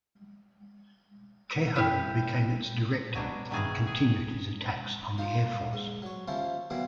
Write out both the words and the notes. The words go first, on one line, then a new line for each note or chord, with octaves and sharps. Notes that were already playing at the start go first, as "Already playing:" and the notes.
Keyhoe became its director and continued his attacks on the Air Force.
E4 G4
B2 F#3 D4
B2 D#3 E3 G#4
G#4
D#4 F4 C5
A#3
G#2
F#3 C#5
D#2 F3 C#4 E4 C5
B2 D#3 E3 F#3 A#3 C4